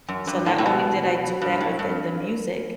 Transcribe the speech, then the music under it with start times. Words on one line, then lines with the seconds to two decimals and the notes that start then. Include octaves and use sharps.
So, not only did I do that within the music
0.09 F#2
0.27 G2
0.46 A2
0.58 A2
0.66 B2
1.41 G2
1.60 A2
1.79 G2